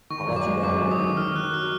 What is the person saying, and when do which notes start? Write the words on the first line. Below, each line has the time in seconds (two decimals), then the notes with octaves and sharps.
I'll let you go in a minute.
0.10 D#3 C#6
0.27 F#2
0.36 D6
0.46 G#3
0.63 F#2 D6
0.81 F#2
0.91 D#6
1.00 D#3
1.17 D#3 F6
1.35 D#3 F#6
1.53 F#3 F6